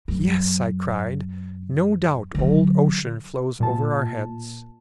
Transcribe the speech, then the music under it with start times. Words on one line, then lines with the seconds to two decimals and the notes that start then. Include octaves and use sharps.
"Yes," I cried, "no doubt old Ocean flows over our heads!"
0.08 F#2
2.35 D3 F#3
3.60 A#2 A5